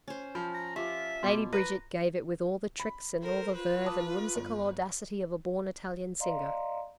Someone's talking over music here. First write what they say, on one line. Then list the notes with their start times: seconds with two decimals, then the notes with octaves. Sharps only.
Lady Bridget gave it with all the tricks and all the verve and whimsical audacity of a born Italian singer.
0.08 C#4 C5
0.35 F3 B5
0.54 A#5
0.76 F4 G4 E5 D6
1.23 B2 C6 D6
1.53 B4 A#5
2.80 B5
3.22 A4 A#4 C5
3.56 F4 B4
3.86 A5 D6 D#6
4.35 G1
6.20 D5 D#5 F5 A#5 C6